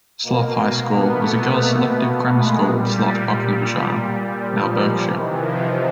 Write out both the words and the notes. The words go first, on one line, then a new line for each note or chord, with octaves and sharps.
Slough High School was a girls selective grammar school in Slough, Buckinghamshire, now Berkshire.
B2 A#3
B3
A3
G#3
A#2 G3
G3
F3
C3 D#3 E3
F3